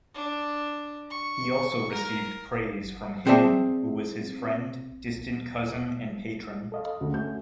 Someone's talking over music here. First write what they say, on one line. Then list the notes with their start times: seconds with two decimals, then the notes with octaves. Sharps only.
He also received praise from Haydn who was his friend, distant cousin and patron.
0.14 D4
1.10 C#6
1.92 A#4
3.27 C4 G#4 C5 D5 E5 A5
6.72 A4 D#5 F5
7.01 D2 C#3 F#4
7.12 A3 C#4 G6